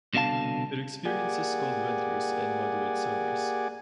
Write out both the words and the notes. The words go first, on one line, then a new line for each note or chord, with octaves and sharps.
It experiences cold winters and moderate summers.
C2 B2 D3 F5 A5
A#3 G4 G#4 D5 F#5 G#5